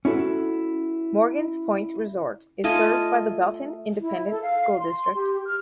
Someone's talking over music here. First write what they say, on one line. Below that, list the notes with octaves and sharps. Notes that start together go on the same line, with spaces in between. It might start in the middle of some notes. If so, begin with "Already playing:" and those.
Morgan's Point Resort is served by the Belton Independent School District.
C#4 E4 F#4 A4
A3 F4 D#5 G#5
E4
A4
F5
C6
G4
F6